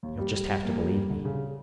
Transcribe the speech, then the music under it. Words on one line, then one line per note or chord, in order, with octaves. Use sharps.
You'll just have to believe me.
D#2
G3
G3
G3
A#3
G3
G3
D3
C#3